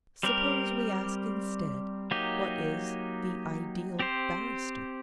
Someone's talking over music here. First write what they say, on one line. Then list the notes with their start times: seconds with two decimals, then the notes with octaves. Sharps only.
Suppose we ask instead, What is the ideal barrister?
0.23 G3 C4 G4 A#4
2.11 F#3 A#3 D#4 G4
3.99 C4 G4 C5